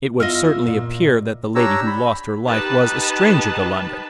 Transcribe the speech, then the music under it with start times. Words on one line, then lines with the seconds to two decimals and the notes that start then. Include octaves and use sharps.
"It would certainly appear that the lady who lost her life was a stranger to London."
0.20 B3 E4 F4 D#5 E5 F6
0.67 A#2
1.55 D4 G4 C#5 A#5 E6
1.87 B5
2.46 D#4 G4 B4 A5